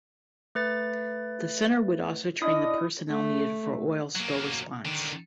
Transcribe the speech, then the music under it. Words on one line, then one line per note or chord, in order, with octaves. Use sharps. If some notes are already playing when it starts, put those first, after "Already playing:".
The centre would also train the personnel needed for oil spill response.
A3 B4 A6
D4 E4 D#5 D#6
A3
F#3 A#3
D3 D#3